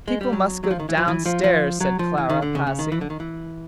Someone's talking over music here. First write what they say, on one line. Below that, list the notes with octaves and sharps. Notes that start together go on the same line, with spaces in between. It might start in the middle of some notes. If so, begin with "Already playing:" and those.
"People must go downstairs," said Clara, passing.
G#3
G3
F#3
F#3
F3
D#3
E3
F3
E3
F3
F3
F#3
F3
E3
D#3
D3
C#3
C#3
D#3
E3
D3
D#3
E3